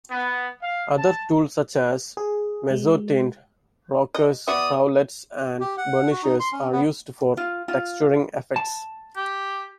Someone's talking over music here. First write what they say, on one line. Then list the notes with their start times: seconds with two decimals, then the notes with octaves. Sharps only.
Other tools such as mezzotint rockers, roulets and burnishers are used for texturing effects.
0.11 B3
0.62 F5
0.96 A5
2.17 G#4
2.71 G#3
4.14 D#5
4.48 B3 F#4 D5 E5 D#6
5.61 G4
5.78 F#5
6.11 F#4
6.23 D#4
6.40 C6
6.52 C#4
6.72 B3
7.37 F4
7.68 F4
8.56 A5
9.16 G4